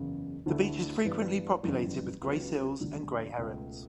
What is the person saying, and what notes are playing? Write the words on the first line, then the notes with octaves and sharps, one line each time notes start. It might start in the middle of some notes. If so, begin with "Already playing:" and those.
The beach is frequently populated with grey seals and grey herons.
Already playing: F#1 E2 C#3
D2 D3 A3 E4 A4
G2 E3 B3
G1 F#2 C#3 E3 G3
C#2 C#3 F#3 B3
E1 D2 D3 G3
C#2 B2 A3